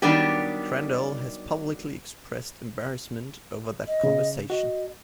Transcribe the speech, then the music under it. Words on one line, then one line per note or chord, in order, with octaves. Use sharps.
Crandall has publicly expressed embarrassment over that conversation.
D#3 F#3 G3 B3 D4 G4
D#5
C#3
F#4 D#5